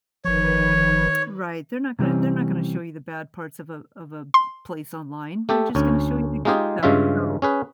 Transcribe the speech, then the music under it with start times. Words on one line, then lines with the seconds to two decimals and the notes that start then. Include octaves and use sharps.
Right, they're not gonna they're not gonna show you the bad parts of a of a p place online, they're just gonna show you the good stuff, so
0.25 G1 D#3 F3 B4 C#5
1.99 C3 E3 G3 C4 C#4
4.34 C6
5.49 A3 G4 A4
5.75 D2 C#4 G#5
6.45 G#3 D#4 F4 G4 G#4
6.83 G2 C#3 G#3 C#4 F4 E5
7.42 C#4 G#4 B4